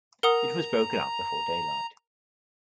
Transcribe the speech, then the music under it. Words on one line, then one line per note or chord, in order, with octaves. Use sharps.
It was broken up before daylight.
A#4 F#5 A#5 D#6